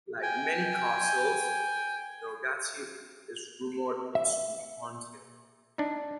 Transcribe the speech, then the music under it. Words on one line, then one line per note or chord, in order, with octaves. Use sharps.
Like many castles, Delgatie is rumoured to be haunted.
G5 G#5
E5
D4 D#4